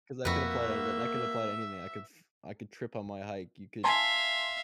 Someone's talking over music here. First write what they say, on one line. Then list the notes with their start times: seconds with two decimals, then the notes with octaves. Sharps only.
'Cause I could apply to that that could apply to anything. I could f I could trip on my hike, you could
0.25 F2 A#3 F#4 B4 E5
3.84 E5 F5 G#5 A5 C6